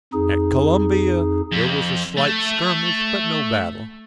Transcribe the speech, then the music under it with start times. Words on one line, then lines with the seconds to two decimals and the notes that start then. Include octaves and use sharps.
At Columbia there was a slight skirmish but no battle.
0.13 F2 D#4 G#4
1.52 F2
2.17 A3